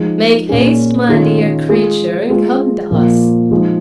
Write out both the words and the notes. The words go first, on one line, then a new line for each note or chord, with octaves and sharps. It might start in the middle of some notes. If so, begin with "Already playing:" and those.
Make haste, my dear creature, and come to us.
Already playing: F3 G#3 D#4 G#4
A#2 A#3 C#4 F4 G#4
D#3 C#4 F4 G#4
G#3 F4 G#4
G#3 F4 G#4
A#2 F3 A#3 F4
F3 G#3 D#4 G#4